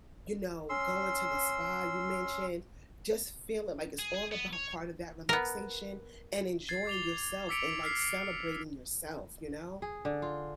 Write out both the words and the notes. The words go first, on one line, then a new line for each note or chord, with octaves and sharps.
you know, going to the spa, you mentioned, just feeling like it's all about part of that relaxation and enjoying yourself and, like, celebrating yourself, you know.
C#4 C6 E6
G#4
G#4
B3
C#5
B3 A#4
G#6 A6 C7
D6 F7 G7
D6 E6 B6 C#7 D7 F7
E6 F6 B6 C7
G#4
D3
F4